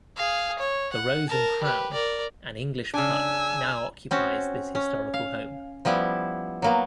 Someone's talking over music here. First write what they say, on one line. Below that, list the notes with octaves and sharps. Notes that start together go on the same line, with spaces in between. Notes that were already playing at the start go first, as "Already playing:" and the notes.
The Rose and Crown, an English Pub, now occupies this historical home.
G#4 F5
C#5
F#5
A#4 A5
G4 B4
A#4 D5
C#3 D4 G#5 E6
C4 C#4 F#4
C#4
F5
F3 G3 B3 E4
F#3 A#3 B3